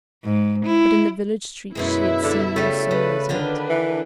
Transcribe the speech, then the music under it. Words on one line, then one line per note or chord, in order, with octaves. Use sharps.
But in the village-street she had seen no soul as yet.
G#2
E4
F#2 B2 G#3 E4 E5
D3 A4
C#3 G3 A3
C#3 B4
D3 D#3 D4 F4 B4
E3